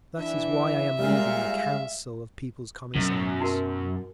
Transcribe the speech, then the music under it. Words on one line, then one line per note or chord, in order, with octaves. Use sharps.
That is why I am leaving the Council of People's Commissars.
E3 D4 E5
A#2 G3 G#3 F5
F#2 B2
D#4 F#4 A#4